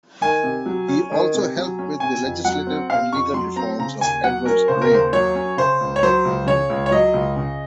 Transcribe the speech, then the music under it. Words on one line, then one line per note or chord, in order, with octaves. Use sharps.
He also helped with the legislative and legal reforms of Edward's reign.
D#3 G#5
C3
F#3
C#4
D#3
C3
F#3
C#4
C3 G#5
F2
F#3 F#5
C4
C3 F5
F2 C#6
F#3 C6
C4 A#5
C#3 A#5
D#2 G#5
F#3 F#5
C#4 A#4
C#3 C5
A#4
D#2 C5
F#3 C#5
C#4
C#3 C5
C#2
C#5
F#3 C5
C#2
C#3 C#5
C#2
C#5
F#3 D#5
C#2
C#3